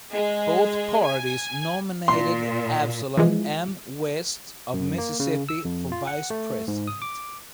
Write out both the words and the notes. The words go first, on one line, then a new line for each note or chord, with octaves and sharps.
Both parties nominated Absolom M. West of Mississippi for Vice President.
G#3
G#5
A#2 C6
E3 F3 G#3
F#2
A#3
C#3
E6
F2
F4
F#5
A3
G#2
D#6
D6